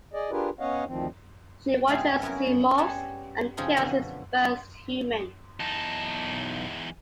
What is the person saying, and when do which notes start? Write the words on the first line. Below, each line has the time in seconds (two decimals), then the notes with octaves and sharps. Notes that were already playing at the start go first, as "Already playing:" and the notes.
She watches as he morphs and kills his first human.
0.14 G#4 D5 D#5
0.31 D4 F4 G4 G#4 A#4 B4
0.60 B3 C#4 C#5 D#5 F5 F#5
0.87 D2 D#3 F3 C4
1.88 C3 G3 A3 D#4 F4 G#4
2.22 F#2 B3 C#4 E4 A#4
2.78 G3 G#4 C#5 F#5 A5
3.57 C#3 F3 C4 D#4 F4 G#4
3.77 B2 D3 F3 F#3
5.60 B1 E2 D#4 A5